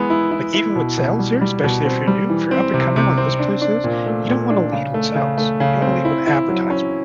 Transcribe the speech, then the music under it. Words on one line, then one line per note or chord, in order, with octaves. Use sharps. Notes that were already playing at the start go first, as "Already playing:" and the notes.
like, even with sales here, especially if you're new, if you're up and coming like this place is, you don't wanna lead with sales. You wanna lead with advertisement.
Already playing: G#3 B3 E4
E4
E4
E4
B2
B2
G3
G3
B2
C4
G3
E3
C4
C3
C3
C4
D4
D4
A#2
A3
A#2
D4
C#3
A3
C#3
A3
C#3
C4
E4
E4
F#3
C#4